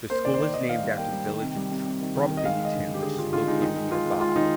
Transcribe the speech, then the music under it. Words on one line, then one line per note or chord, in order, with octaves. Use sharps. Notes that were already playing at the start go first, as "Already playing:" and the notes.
The school is named after the village of Trumpington which is located nearby.
A#3 C5
D#3 D5
C5
D#3 D5
D#3 D#5
D#3 F5
G3
A#3 G5
G3
D#3
C3
G3
C3
C3
D#3
D#3
D#3
D#5
G#3 F5
G#3
D#5
D3
D3
G4
D3 G#4
D3 F4
D3 F4
G#3 D#4
D#3 D#4
G#3
G#3 F4
G#3
G#3 F4
D#3 D#4